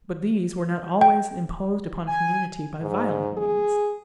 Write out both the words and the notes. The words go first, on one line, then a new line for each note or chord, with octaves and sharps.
But these were not always imposed upon a community by violent means.
G5
G#5
G#2
G#4